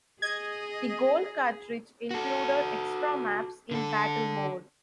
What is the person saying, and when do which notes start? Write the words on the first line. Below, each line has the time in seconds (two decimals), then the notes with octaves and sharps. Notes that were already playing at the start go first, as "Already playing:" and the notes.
The gold cartridge included extra maps in battle mode.
0.22 G#4 D#5 G#6
2.11 F#4 A4
3.71 D3 A4